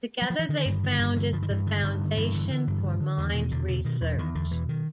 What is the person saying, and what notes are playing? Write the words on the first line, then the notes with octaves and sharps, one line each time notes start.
Together they founded The Foundation for Mind Research.
F#3
F3
E3
D3 D#3
G2
D3 D#3
G2
D3 E3
G2 F3
D#3
G2 E3
D3 D#3
G2 D#3
D3
G2 E3
D3
D3
G2
D3
D3
E2 D#3
B2 D#3
E2 D3
B2 D3
B2 D#3
E2 E3
E2 D#3
E2 D3
B2 E3
D#3